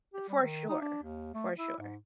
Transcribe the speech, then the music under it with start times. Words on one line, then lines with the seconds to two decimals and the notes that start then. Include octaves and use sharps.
For sure, for sure.
0.14 G4
0.29 G3
0.42 D#3
0.69 D#4
0.81 D4
1.03 D#2
1.34 A3
1.59 E4
1.79 G#2